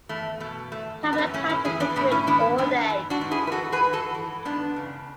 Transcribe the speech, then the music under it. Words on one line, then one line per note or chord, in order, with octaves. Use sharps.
Pablo touches the grid all day.
E2 A3
B2 A3
E2 A3
E3
B3
A3 C#4
A2 A3 C#4
C#4 E4
E3 E4 G#4
B3 D4
A2 B3 D4
C#4 E4
E3 B3 D4
G#2 B3 D4
E3
D4 F#4
G#2
E4 G#4
B4
E3 F#4 A4
G#4 B4
G#2
F#4 A4
E3
G#2 B3 D4
C#3